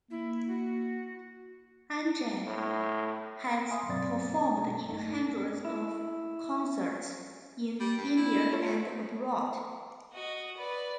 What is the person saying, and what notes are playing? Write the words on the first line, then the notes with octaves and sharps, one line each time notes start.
Anjan has performed in hundreds of concerts in India and abroad.
A#3 E4
F#4
A2
E5 F5 G#5 B5 C6 D#6
G2 B2 F#3 C4 D5 A6
G2 A3 D#4
E4
G3
G2
E4
F4 A4 C#5
G#2
F#4 D#5
B4 D5